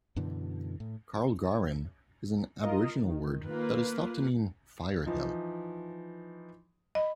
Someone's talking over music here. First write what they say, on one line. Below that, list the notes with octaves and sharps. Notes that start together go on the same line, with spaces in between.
Karlgarin is an Aboriginal word that is thought to mean "fire hill".
F#2 B2 D3 E3
A2
F4 A#4 D#5
D#3
A#3 F4 B4
E3 F3 D#4
D#5 B5